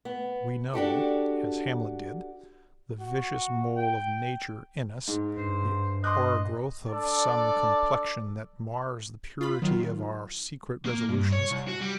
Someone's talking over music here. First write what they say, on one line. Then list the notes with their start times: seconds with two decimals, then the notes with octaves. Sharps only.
We know--as Hamlet did--the vicious mole of nature in us, the o'ergrowth of some complexion that mars the purity of our secret resolutions.
0.05 B3
0.73 D4 F#4 G4 A4
3.00 F#4
3.76 G5
5.07 G#2
5.37 G2 C5
6.04 D#5 C6 D6 F#6
6.87 D4 A4 D5
9.41 F4 B5
9.62 D#3 F#3 F4
10.85 A#3
11.09 G2
11.33 C#5
11.51 C2
11.69 F#4
11.82 G3